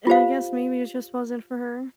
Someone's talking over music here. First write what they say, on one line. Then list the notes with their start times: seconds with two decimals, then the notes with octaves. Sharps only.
and I guess maybe it just wasn't for her.
0.07 F4 G4 C5 F5